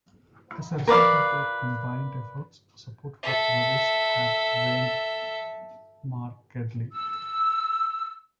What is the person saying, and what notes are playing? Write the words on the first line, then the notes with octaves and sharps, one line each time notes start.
As a result of their combined efforts, support for terrorists had waned markedly.
A#4 B4 D5 F5
A4 E5
E6